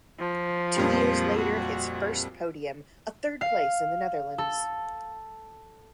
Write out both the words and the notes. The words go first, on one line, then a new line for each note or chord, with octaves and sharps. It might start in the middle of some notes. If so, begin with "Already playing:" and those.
Two years later, his first podium: a third place in the Netherlands.
F3
F2 A#2 G3
F#4
F5
A4